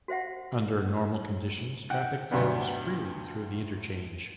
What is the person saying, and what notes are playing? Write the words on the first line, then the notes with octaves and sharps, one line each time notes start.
Under normal conditions, traffic flows freely through the interchange.
F#4 C5 E5 F#5
F#5 G5
D2 G2 C3 F#3 G3 B3